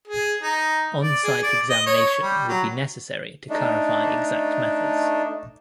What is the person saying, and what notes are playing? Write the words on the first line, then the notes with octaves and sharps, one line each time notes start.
On-site examination would be necessary to clarify exact methods.
G#4
D#4
D5
G#4
D5
D#5
C#5
G3
F#3
A3 D4 D#4